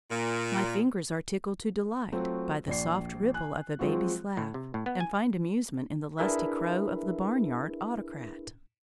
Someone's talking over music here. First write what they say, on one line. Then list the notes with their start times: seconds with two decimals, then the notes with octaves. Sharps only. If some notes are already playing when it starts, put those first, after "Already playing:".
My fingers are tickled to delight by the soft ripple of a baby's laugh, and find amusement in the lusty crow of the barnyard autocrat.
0.11 A#2
2.12 F#3 A3 C4 F4 F#4
2.67 A#1 D5 C7
3.34 G#5 F#6
3.79 F3 F#3 G#3 C4 F4 F#4
4.37 A2
4.54 C3
4.74 A2
4.86 B3
5.00 G#5
6.19 D4 E4 G#4 A#4 B4 E5